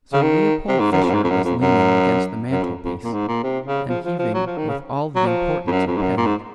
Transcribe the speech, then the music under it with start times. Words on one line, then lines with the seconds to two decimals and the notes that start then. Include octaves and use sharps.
Sir Leopold Fischer was leaning against the mantelpiece and heaving with all the importance of panic.
0.13 C#3
0.22 D#3
0.68 C3
0.79 G#2
0.92 F#2
1.03 F2
1.09 F#2
1.14 G#2
1.24 F2
1.30 F#2
1.44 F2
1.60 F#2
2.51 F#2
2.63 F2
2.85 F2
3.04 A#2
3.13 G#2
3.28 A#2
3.43 C3
3.66 C#3
3.89 F3
4.05 F3
4.19 F3
4.34 F#3
4.47 F3
4.58 D#3
4.69 C#3
5.15 F#3
5.26 F3
5.67 F2
5.72 F#2
5.87 F2
5.97 G#2
6.02 F#2
6.17 A#2
6.26 G#2